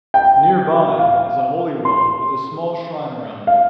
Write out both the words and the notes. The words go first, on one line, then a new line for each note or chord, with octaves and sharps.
Nearby is a Holy Well with a small shrine around it.
G5
F5
C6
F5